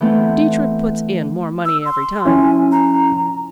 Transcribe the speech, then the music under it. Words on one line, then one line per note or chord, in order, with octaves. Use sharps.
Dietrich puts in more money every time.
E3 A3 B3 C4
E6
C6
F3 C#4 E4 G#5
A#5